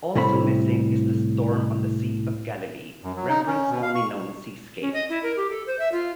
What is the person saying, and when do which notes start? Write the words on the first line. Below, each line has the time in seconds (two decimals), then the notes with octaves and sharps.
Also missing is "The Storm on the Sea of Galilee", Rembrandt's only known seascape.
0.15 C2 A2 A3 C4 B5
3.04 F#2
3.17 F#3
3.29 D#4
3.47 C#4
3.70 B2
3.82 F5
3.95 C#6
4.82 C#4
4.93 D#5
5.09 E4
5.23 A#4
5.37 G4
5.50 A4
5.67 C5
5.79 E5
5.92 F4